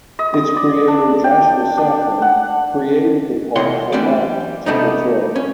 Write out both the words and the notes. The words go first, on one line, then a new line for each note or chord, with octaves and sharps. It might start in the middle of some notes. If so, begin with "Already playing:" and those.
Its creator Joshua Safran created the part for Mock to portray.
D#5
D#6
D5
D4
G5
D4
F#5
C2 E3 D#5 F#5 C6
F#2 E3 G3 D4 G4 D5
C3 G3 A3 B3 D4 D#4
C#4